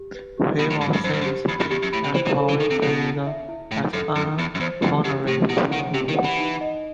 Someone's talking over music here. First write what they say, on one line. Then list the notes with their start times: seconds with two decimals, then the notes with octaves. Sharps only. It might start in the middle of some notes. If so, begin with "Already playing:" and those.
He has since been appointed as an Honorary Fellow.
Already playing: G4
0.15 B4
0.37 G4
0.59 B2 B5
0.70 A2
0.81 G2 B5
0.93 G2
1.04 F#2 C5
1.13 G2
1.21 F#2
1.26 G4
1.48 E2 B5
1.60 F#2
1.71 E2 G4
1.82 F#2
1.93 A2 B5
2.04 C3
2.15 E3 C5
2.26 E3
2.38 A4
2.49 E3
2.59 D#3 A4
2.71 C3
2.82 B2 E4
3.05 E4
3.27 E5
3.49 E4
3.71 A2 E4
3.93 F#2 A4
4.16 F#2 E4
4.38 E2 E4
4.55 F#2
4.60 E2 C5
4.82 F#2 F#5
5.04 F#2 G4
5.27 A2 G4
5.49 B2 E4
5.72 D#3 F#5
5.94 C3 G4
6.09 D#3
6.17 F#5
6.24 E3
6.38 D#4
6.61 D#5